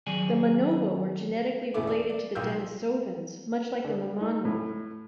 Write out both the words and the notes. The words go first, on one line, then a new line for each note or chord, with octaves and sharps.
The Manobo are genetically related to the Denisovans, much like the Mamanwa.
D#3 F#3 G#4 D5 G#5
E1 C#3 A3 E4 D6
A4 D5
D5
B1 A#2 F5 G5 E6 G6
D3
D#4
A2